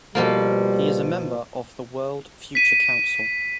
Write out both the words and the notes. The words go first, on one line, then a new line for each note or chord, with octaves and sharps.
He is a member of the World Future Council.
B2 F3 G3 A#3
B6 D#7